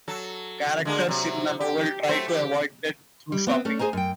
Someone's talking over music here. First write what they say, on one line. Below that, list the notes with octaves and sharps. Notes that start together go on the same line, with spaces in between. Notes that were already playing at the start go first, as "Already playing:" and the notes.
Characters in the novel try to avoid death through shopping.
F#3 A4
D3 G#3 A#3
C3 F#3
G4
F#3 A3 C5
G4
G3
B3 C4
A3 C#4 D4
G#4 C5 G#5 A#5
F#2 G5